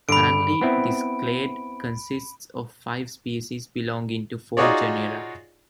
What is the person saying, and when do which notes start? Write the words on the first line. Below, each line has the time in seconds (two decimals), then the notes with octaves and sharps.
Currently, this clade consists of five species belonging to four genera.
0.09 G2 D3 B5 D7
0.61 B3 C4 E4
4.57 D#4 F4 F#4 G#4 C#5 D5